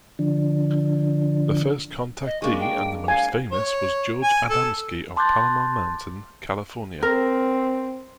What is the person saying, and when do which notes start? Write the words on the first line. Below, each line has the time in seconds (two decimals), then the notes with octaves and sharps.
The first contactee, and the most famous, was George Adamski of Palomar Mountain, California.
0.19 D3 F3 D4
2.26 D#5
2.42 G#3 A#3 D4 C#6
2.60 G5
3.08 F5 G#5
3.52 C#5
4.23 G#5
4.50 A4
5.16 A5 C6 D6 F#6 G6 A6
7.03 C4 A#4